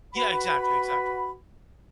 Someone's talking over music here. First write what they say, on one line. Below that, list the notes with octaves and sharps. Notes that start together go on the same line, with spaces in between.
Yeah, exactly, exactly.
F#4 B4 B5